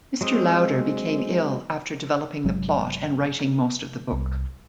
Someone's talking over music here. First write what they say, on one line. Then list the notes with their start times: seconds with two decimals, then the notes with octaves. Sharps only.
Mr. Lowder became ill after developing the plot and writing most of the book.
0.21 F#3 G#3 C4 D#6
2.44 G1 C3 F#3 G#3
4.12 C2